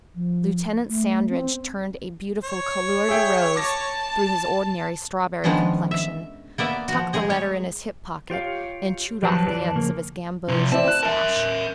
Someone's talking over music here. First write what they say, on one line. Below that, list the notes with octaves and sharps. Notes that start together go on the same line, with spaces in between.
Lieutenant Sandridge turned a beautiful /couleur de rose/ through his ordinary strawberry complexion, tucked the letter in his hip pocket, and chewed off the ends of his gamboge moustache.
F3
A3
C4
C#5
G#4 E5 G5
A5 D6 A#6
D#3 F3 G#3 B3 C#4 D4
E5
A#3 B3 D5 E5
F3 F#4
G3 G#3 G#4 D#5
C#5
F4 G4 C#5 F5
F3 F#3 G4 B4 A5
F2 E3 B4 D5 A5
C#3 F3 A#3 A#4
C3 F3
C4 E4 D5 A5
F#6
A#4 E5